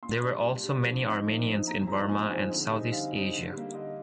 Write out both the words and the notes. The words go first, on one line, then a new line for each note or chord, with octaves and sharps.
There were also many Armenians in Burma and Southeast Asia.
A#2 C6
G3 D4
A#2
G3 D4
F3
C4 D#4
F3
C4 D#4
A#2 A#5
F3 G#3 C4 D#4 A#5
A#2 G#5
F3 G#3 C4 D#4
D3
G3 C4 D#4
D3 F5
G3 C4 D#4
D3
G3 A#3
D3 D#5